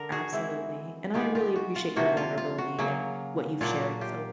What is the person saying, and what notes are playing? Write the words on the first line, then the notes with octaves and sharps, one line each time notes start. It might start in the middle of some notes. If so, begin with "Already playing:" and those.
Absolutely, and I really appreciate your vulnerability and what you've shared, so,
Already playing: D3 A#4
F#4 G#4
E3 G#3 C4 E4
D#3 G#3 B3 F4 G4
F4 G4
F#4
F4
C3 F3 A#3 F#4
F4
F4
F#4
C#3 F#3 A#3
A#2 F#3 A#3 D4 F4
F#4
F4 G4